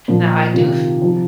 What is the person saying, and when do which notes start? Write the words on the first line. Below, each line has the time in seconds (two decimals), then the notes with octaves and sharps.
Now I do f
0.08 A#2 F3
0.54 C3 D#3 F4
1.02 C3 F3 D#4